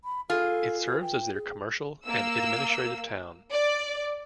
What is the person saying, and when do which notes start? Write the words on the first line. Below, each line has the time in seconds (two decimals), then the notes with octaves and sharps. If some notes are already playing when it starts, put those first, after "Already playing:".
It serves as their commercial and administrative town.
0.04 B5
0.30 F4 G#4 A4
0.87 B4
1.01 G5
1.34 G#4
2.06 A#3 E6
3.51 D5